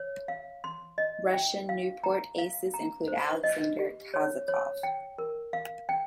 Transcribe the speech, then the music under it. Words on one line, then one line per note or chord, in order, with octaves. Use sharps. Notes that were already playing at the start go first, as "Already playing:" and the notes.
Russian Nieuport aces include Alexander Kazakov.
Already playing: C#5
F5
C6
D#5
G5
F5
A#5
F5
A#5
C5
D#5
G4
C#5
C#5
G5
A#4
F5
G5